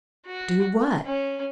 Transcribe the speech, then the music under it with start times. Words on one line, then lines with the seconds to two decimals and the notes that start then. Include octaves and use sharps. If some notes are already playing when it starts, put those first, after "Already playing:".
"Do what?"
0.27 F#4
1.05 C#4